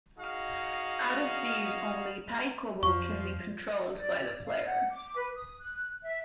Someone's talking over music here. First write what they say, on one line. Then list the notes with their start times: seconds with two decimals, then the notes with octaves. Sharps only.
Out of these, only Taikobo can be controlled by the player.
0.18 D#4 F#4 G#4 D#5 F5
2.83 F2 F3 C#6
3.98 D5
4.46 F5
4.65 F#5
4.91 D6
5.16 B4
5.36 D#6
5.61 F#6
6.03 E5